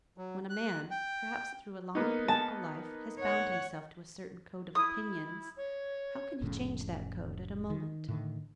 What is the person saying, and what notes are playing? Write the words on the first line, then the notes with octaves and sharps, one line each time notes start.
When a man, perhaps through a long political life, has bound himself to a certain code of opinions, how can he change that code at a moment?
F#3
F#6
G5
A#3 B3 D#4
A5
C#5 F#5
E4 D#6
C#5
F1 F2 A2 C#3
D#3
A2 D3 D#3